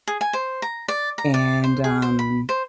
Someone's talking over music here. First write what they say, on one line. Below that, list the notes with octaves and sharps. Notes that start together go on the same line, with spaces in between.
and, um,
G#4
G#5
C5
A#5
D5
A#5
D5
C5
G#4
C5
B5
C5